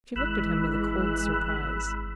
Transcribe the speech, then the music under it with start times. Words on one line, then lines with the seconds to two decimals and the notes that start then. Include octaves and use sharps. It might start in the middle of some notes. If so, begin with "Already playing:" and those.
She looked at him with a cold surprise.
0.16 G#1 E3 G#3 B5 E6 F#6